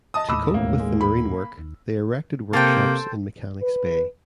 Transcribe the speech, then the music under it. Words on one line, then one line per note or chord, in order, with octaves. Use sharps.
To cope with the marine work they erected workshops in Mechanics Bay.
D#5 A5 D#6
D#2 A2 B5 D6 E6
E1 A1 A#3
G#3
B5
D#2
C3 A#3 A4 C5 G5
B4